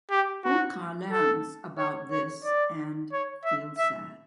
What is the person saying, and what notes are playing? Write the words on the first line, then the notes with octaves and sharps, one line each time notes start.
Omkar learns about this and feels sad.
G4
F#4
A4
C#5
C#5
D5
C#5
E5
E5